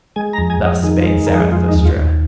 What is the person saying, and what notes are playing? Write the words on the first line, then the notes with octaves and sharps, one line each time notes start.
Thus spake Zarathustra.
G#3 G#5
A#5
F2
G#5
F2 D#5
D#3 G#4
F4
G#3
A#4
F2
G#4
G#3 F4
D#4
D#2
F4
D#2